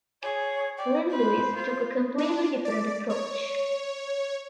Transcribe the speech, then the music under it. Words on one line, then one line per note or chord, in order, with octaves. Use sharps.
Lil Louis took a completely different approach.
G#4 C#5
D5 G5
B4 C5
F4
D4
D5
C#5